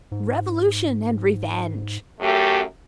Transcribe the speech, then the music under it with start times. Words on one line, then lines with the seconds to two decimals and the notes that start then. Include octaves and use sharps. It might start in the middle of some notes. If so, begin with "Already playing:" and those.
Revolution and Revenge!
0.12 G#2
2.20 F#2 A3 G4